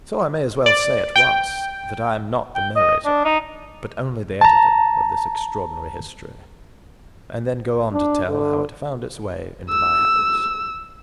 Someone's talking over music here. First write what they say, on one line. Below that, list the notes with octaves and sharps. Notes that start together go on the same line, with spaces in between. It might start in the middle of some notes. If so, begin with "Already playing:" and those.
And so I may as well say at once that I am not the narrator but only the editor of this extraordinary history, and then go on to tell how it found its way into my hands.
D5
G5
G5
D#5
D4
D#4
A5 A#5
D4
D3
E6